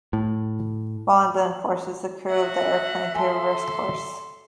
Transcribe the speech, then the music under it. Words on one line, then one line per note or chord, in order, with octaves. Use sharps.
Bond then forces the crew of the airplane to reverse course.
A2
F#4 E5 F#5
A4 G#5 A5 C6